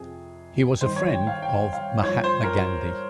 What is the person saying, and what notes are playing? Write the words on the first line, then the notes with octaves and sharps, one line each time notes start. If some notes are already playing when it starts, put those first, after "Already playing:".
He was a friend of Mahatma Gandhi.
Already playing: F2 C3 F3 G#4
G2 D#3 C5
C#5
G5
F5
G5
F5
G2 F3 C#5
C5
A#4